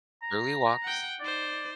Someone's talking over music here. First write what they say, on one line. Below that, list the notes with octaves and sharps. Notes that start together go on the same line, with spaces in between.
Early walks.
A#5
F#5 G5
D#4 C5 D5